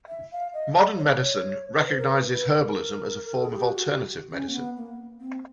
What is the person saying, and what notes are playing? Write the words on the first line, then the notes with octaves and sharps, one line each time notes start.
Modern medicine recognizes herbalism as a form of alternative medicine.
E5
F5
D#5
D5
C#5
D5
C#5
B4
C5
A#4
B4
B4
A#4
A#4
A4
G#4
G4
F#4
F#4
G4
C#4
A#3
B3
A#3
C4